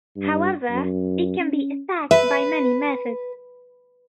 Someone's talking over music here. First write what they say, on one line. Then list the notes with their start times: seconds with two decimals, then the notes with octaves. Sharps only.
However, it can be attacked by many methods.
0.16 G2
0.70 F#2
1.40 C#4
2.11 B4 E5